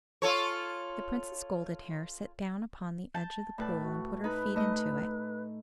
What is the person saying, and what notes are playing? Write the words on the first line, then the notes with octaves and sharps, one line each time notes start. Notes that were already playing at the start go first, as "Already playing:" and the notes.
The Princess Goldenhair sat down upon the edge of the pool and put her feet into it.
F4 A4 C#5
A5 G6
A2 B4 D5 A5
F#4
D#4 B4 B5
A3 D#5